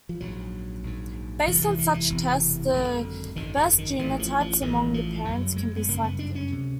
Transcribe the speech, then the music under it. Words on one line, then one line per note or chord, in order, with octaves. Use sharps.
Based on such tests the best genotypes among the parents can be selected.
F3
A#1 G#2 F#3
A#1 G#2
E1 E2 C3 F3
E3
E3
E3
E1 E2 C3
G#1 F#2 D3
G#1 F#2 D3 D#3
D3
D#3
A1 A2 E3
F3
F3
A1 A2 D#3
F3
G1 F#2 C#3 F#3
G#3
B3
G1 F#2 C#3 A#3
B3
D4
C#4
D2 C3